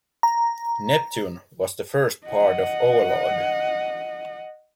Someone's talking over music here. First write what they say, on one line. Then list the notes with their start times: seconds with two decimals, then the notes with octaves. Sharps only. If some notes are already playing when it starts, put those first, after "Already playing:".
"Neptune" was the first part of "Overlord".
0.23 A#5
2.26 D#5 F#5